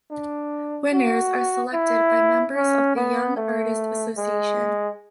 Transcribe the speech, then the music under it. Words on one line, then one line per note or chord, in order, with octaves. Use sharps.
Winners are selected by members of the Young Artist Association.
D4
F#4
E4
C#4
B3
A3
G#3